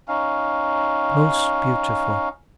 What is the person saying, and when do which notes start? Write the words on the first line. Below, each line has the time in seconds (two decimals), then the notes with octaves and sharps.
Most beautiful.
0.08 C#4 D#4 F5